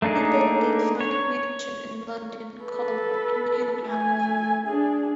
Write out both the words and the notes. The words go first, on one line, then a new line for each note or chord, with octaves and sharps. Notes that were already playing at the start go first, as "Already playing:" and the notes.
He built a fine mansion in London called Buckingham House.
A3 A#3 D4 D#4 G#4
C#5
A4 B4
A3 G#5
D4 G#4